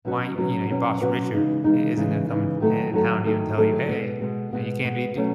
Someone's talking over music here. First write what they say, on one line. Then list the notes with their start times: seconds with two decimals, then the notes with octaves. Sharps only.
why" you know, your boss, Richard, i isn't gonna come and and and hound you and tell you, "Hey," you know, "you can't be do
0.05 B2 F#3 C#4 F#4 B4
0.37 B2 F#3 C#4 F#4 B4
0.69 B2 F#3 C#4 F#4 B4
1.01 B2 F#3 C#4 F#4 B4
1.33 C#3 E3 G#3 D#4
1.64 C#3 E3 G#3 D#4
1.97 C#3 E3 G#3 D#4
2.29 C#3 E3 G#3 D#4
2.60 D#3 F#3 A3 E4 A4
2.92 D#3 F#3 A3 E4 A4
3.25 D#3 F#3 A3 E4 A4
3.57 D#3 F#3 A3 E4 A4
3.88 B2 G#3 B3
4.21 B2 G#3 B3
4.53 B2 G#3 B3
4.84 B2 G#3 B3
5.16 B2 F#3 A3 C#4